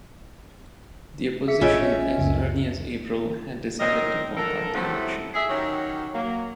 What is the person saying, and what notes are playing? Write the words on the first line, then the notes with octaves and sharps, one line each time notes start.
The opposition, as early as April, had decided to boycott the election.
G#4 E5 B6 C#7
A#1 C#4 F4 C#5 D#5 E5 E6 D7
C#2 F#2 C#3
F#3 C4 D#4 A#4 D#5
D3 A4 A#4
F#3 G3 A3 B3 C4 E4
G#4 E5
D#3 F#3 C#4 G4 C#5
F#3 A#3